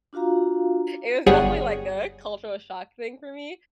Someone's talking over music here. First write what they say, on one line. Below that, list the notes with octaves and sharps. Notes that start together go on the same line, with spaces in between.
It was definitely like a cultural shock thing for me
D4 F4 F#4 F5 A#5
G1 G3 G#4 C#5 F#5